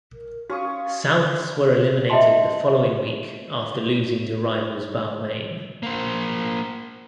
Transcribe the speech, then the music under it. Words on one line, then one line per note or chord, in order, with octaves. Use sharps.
Souths were eliminated the following week after losing to rivals Balmain.
A#4
C#4 F#4 F5 C#6 D#6
D#5 E5 G5 A5 C6
A#3 C5